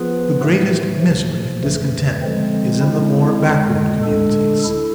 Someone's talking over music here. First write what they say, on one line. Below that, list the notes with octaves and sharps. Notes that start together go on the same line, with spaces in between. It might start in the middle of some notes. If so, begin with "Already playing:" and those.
The greatest misery and discontent is in the more backward communities.
Already playing: F3 B3 F4 G#4 B4
A2 E3 A3
D2 C3 F3
F2 E3 A3
D3 F3 G#3 C4
D3 G#3 C4 E4
F2 D3 G#3
D2 D3 G#3 D4 A4
E4 A4